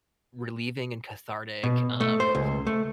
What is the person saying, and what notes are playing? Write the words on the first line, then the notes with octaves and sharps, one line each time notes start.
relieving and cathartic, um,
B2
A3
C5
C#2
A3